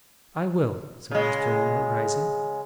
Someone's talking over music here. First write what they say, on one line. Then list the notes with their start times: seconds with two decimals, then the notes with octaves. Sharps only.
'I will,' said Mr. Omer, rising.
1.11 C#3 G#3